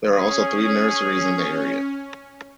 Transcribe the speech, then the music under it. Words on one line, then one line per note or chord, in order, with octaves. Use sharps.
There are also three nurseries in the area.
C#4 G#4